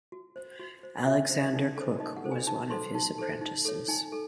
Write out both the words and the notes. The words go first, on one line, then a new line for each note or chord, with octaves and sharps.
Alexander Cooke was one of his apprentices.
F#4
C5
F#4
C5
F#4 E5
C5
D#4
A4 C5
D#4 D#5
F#5
A4 C5
G#5
D#4 A5
A4 C5 C6
D#4 A5
A4 C5
D#4
A4 C#5
D#4 G#5
A4